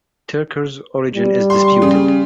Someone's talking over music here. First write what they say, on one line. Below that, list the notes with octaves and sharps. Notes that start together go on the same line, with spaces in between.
Tyrker's origin is disputed.
G3
C6
C#3